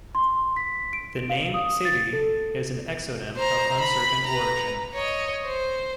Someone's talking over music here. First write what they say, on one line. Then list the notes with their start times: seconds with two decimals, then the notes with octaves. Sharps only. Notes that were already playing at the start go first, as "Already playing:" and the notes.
The name Seri is an exonym of uncertain origin.
0.15 C6
0.56 B6
0.93 D7
1.30 F5
1.54 D#6
1.85 A6
2.13 A4
3.36 C5 A#5
3.80 B5
4.26 B4 A#5
4.94 C#5 D#5
5.46 C5